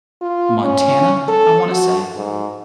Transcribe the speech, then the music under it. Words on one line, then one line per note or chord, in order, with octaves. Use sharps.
Montana, I wanna say,
F4
C#4
A4
F#4
G#2